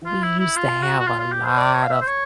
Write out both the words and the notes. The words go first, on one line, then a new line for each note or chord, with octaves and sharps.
we used to have a lot of
F4
E4
E4
F4
F#4
F#4
F4
F4
G4
C5
D5
C#5
F5
E5
C5
C#5